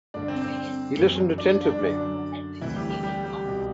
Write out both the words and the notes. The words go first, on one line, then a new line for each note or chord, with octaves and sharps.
He listened attentively.
G2 D3 D4
C4
C4
F#2 E3
D4
D4
D4
F#2 D3
D2 C3 E3 E4
G3 G4
G3 G4
G3 G4
G3 G4
C2 B2